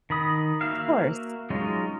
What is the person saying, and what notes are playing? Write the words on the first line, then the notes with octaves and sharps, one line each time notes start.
Of course.
D#3 B5 D#6
A#3 F#4 E5 F5
F#3 G#3 C#4 D#4 F4